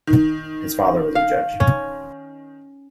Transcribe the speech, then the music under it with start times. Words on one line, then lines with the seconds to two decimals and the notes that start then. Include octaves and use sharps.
His father was a judge.
0.07 D#3
1.15 F5
1.60 C#4